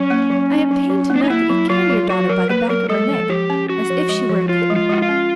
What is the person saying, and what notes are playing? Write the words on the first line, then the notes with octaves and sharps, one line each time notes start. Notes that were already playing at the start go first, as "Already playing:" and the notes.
I am pained to note that you carry your daughter by the back of her neck, as if she were a kitten.
Already playing: F#3 C#4
A#3
F#3
D#4
F#3
F#3
A#3
D4
D#4
A#3 E4
F#3
F#3 F4
F#3
F#3 F#4
F#3 A#4
A#3 B4
F#3 A#4
G#3 A4
F3
F3 G4
C#4
C#4 F#4
F3
G#3
F3
F3 F4
G#3
F4
G#3 F#4
F4
C#4